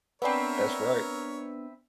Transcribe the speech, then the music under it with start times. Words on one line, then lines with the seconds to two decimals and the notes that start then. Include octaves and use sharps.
That's right
0.22 B3 C4 D4 A#4 B4 C#5 E5